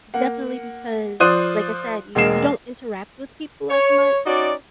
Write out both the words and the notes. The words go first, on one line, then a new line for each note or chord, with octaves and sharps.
definitely because like I said, you you don't interact with people as much.
A#3 F#5
F3 C5 D5 D#6 F#6 D#7
E1 G#3 A#3 C7 E7
C#5
C#4 D#4 F#4 D5